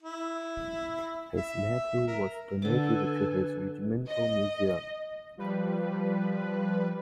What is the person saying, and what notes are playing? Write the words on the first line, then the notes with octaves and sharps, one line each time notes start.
His medal was donated to his regimental museum.
E4
E5
A#4
D3 A4 B4 G#5 D6
D#5
F3 G3 B4